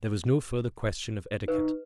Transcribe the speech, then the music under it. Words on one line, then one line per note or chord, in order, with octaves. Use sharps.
There was no further question of etiquette.
D#4 B4